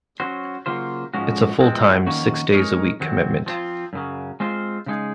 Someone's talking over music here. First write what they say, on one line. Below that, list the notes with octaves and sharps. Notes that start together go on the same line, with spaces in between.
It is a full-time, six- days-a-week commitment.
F#3 C#4 F#4 C5
C#3 F#3 A#3 F4 C5
G#2 F3 G#3 C#4 F#4
F3 G#3 C4
F2 D#3 A#3 C#4 F#4
G#3 D#4 A#4 C#5
F2 D#3 F#3 C4
F3 C4 F4
F#2 C#3 F#3
G#3 C4 F4 C5
C#3 G#3 D#4 G#4